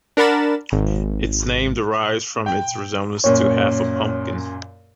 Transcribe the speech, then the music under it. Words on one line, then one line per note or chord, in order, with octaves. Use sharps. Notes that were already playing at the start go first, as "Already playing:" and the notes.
Its name derives from its resemblance to half a pumpkin.
D4 A#4 F#5 B5 A6 E7
G#1
G5
F#2 A#2 C#5